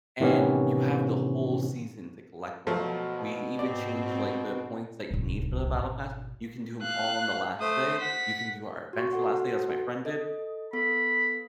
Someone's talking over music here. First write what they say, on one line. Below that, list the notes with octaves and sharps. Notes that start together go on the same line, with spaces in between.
and you have the whole season to collect them. We even changed, like, the points that you need for the battle pass, you can do 'em all on the last day. You can do our events the last day," as my friend did,
A2 C3 D#3 E3 B3 C#4
B2 F3 F#3 A3
G#2 C4 D5
D1 C2
G#1 B2
F5 F#6
A3 C5 D#6
F#5 B6
F#4 C#6
F#4 A4 F#5
A4 D#5
B3 A4 B5